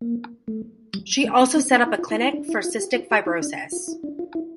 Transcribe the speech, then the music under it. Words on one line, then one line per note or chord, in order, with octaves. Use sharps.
She also set up a clinic for cystic fibrosis.
A#3
A3
G3
A3
C4
C4
D4
E4
F4
E4
E4
D4
E4
F4
G4
F4
G4
E4
D4
F4
E4
D4
F4
E4